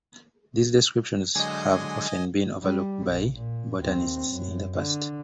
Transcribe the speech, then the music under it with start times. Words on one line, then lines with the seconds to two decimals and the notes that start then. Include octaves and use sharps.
These descriptions have often been overlooked by botanists in the past.
1.35 D3 F#3 G#3 D#5 G#5
2.62 G3
3.07 A#1
3.37 A#2
3.81 D#2 C4
4.29 F#2
4.79 D3